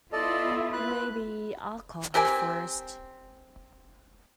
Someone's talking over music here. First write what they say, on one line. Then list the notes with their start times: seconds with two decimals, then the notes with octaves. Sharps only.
Maybe I'll call her first.
0.13 B3 E4 F4 A4 D5 D#5
0.73 B4 F#6
2.14 C4 G4 A#4 G#5